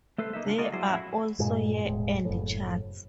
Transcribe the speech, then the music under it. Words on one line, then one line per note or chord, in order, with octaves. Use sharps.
There are also Year End charts.
A3 A4 B4 C5
A#3 D#4 E5
C#3 D4 D#4 F4
G#3 A#3 F4 F#4 A4 D#5
F#3 G3 E4 G#4 C5
F2 A2 C#4 E4 F#4
G2 A#2 G#3
E1 A2 G#3
F#1 A2